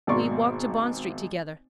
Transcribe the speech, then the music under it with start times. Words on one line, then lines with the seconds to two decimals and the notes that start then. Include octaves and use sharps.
We walked to Bond Street together.
0.07 G#1 B2 A#3 D5 C6 C#6